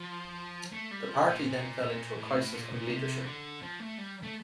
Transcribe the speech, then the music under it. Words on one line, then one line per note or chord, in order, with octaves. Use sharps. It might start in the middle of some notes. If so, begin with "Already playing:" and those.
The party then fell into a crisis of leadership.
Already playing: F3
A3
G3
F3
A#2
A#2
A#2
A2
A2
A#2
A#2
C3
E3
D3
F3
A3
G3
A3